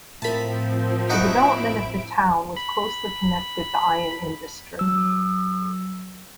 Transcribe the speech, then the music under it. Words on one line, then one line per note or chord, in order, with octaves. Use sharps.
The development of the town was closely connected the iron industry.
A2 F3 C4 A#4 A5 B5
D#4 E4 F#4 C5 D#5 D7
B5
F#3 E6